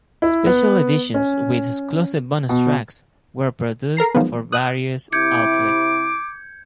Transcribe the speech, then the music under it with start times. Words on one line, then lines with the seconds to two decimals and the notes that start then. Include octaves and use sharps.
Special editions with exclusive bonus tracks were produced for various outlets.
0.22 E4
0.46 B3
1.14 C#4
2.49 B2
3.97 A4 A#4 A#5 C7
4.15 D#3 F3 F#3 G#3 B3
4.52 D#6 F#6
5.12 C3 E4 D6 G6 G#6 C#7